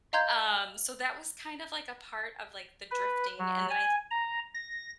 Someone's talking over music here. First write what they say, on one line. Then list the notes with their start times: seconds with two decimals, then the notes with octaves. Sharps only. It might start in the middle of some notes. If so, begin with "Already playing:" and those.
um, so that was kind of like, a part of like, the drifting, and then I
0.13 D#5 F5 A#5 C6 G6 G#6
2.91 B4
3.39 F#3
3.70 G#5
4.11 A#5
4.54 A#6